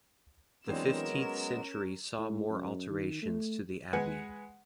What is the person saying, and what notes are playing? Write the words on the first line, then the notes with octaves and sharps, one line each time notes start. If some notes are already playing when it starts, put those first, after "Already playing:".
The fifteenth century saw more alterations to the Abbey.
E3 F#3 G#3 B3 C4 D4 A#4 E7
C#4
A2
F#2
D#3
A3
G#3 B4 F#5 G#5